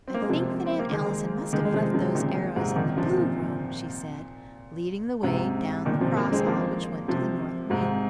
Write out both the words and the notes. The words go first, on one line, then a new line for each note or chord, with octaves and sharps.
"I think that Aunt Allison must have left those arrows in the blue room," she said, leading the way down the cross hall which went to the north wing.
C4
A#3
G#3
C3 F3
C4
A#3
D#3 G#3
D#3 G#3
G#3
C3 F3
C3 F3
A#2 D#3
A#2
G#2 C3
A#2 D#3
C3 F3
A#2
A#2
G#2 C3
A#2 D#3
C3 F3
F3 A#3
G#3 C4
F3 A#3
C3 F3
G#2 C3